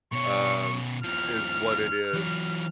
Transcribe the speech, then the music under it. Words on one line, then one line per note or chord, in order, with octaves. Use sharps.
Um, is what it is
B2 C#4 C#6
D#2 F3 F6
E3 F#3